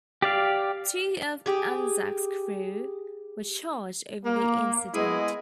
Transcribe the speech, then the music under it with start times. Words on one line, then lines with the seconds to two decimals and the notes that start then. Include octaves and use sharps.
Two of "Anzac"s crew were charged over the incident.
0.22 G4 D5 F5
1.46 G4 G#4
4.25 A#3
4.94 G#3 B3 E4 G#4 D#5